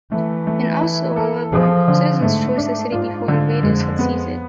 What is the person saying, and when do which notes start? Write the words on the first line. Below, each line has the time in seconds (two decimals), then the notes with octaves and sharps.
In Oslo, however, citizens torched the city before invaders could seize it.
0.11 E3 A3
0.47 A3
0.81 E4
1.16 A4
1.52 F3 G#4
1.88 D3
2.22 G#2 A3
2.57 D4
2.92 G#2 F4
3.28 D3
3.63 F2 G#3
3.99 B3